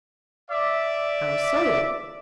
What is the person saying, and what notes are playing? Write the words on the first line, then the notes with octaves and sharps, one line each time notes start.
How so?
D5 E5 D6